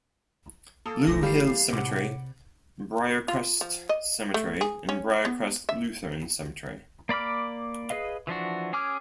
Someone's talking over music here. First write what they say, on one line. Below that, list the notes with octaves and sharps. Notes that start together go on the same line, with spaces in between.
Blue Hill Cemetery, Briercrest Cemetery and Briercrest Lutheran Cemetery.
A#3 A4 D#6
D#1 B1 E3 A3 A#6
G3 F5 C7
A2 C3 F#5 D6
F4
F3
D#5
A3
G#4
C#4
B3
E5
A#3 D5 B5 D6 F6
G#4 B4 D#5 F5
E3 F3 D4 F#4
C#4 G#4 G#5 D6 F6